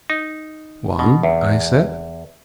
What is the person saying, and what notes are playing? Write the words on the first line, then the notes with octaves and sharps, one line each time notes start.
"One," I said.
D#4
B2
E2